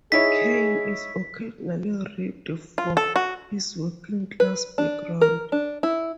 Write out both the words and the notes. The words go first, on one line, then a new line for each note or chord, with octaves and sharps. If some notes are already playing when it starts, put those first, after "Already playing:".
Caine is occasionally ribbed for his working-class background.
D#4 E4 G#4 C#5 B6
F4
A4
F#4
B4
D4
A#4
D4
E4